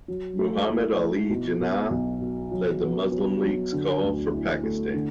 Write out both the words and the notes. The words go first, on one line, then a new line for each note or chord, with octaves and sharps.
Muhammad Ali Jinnah led the Muslim League's call for Pakistan.
F#3
A3
E4
E4
B2
B2
B1
B2
F#3
B3
F#3
F#3
D3
D2
E4
A3
D3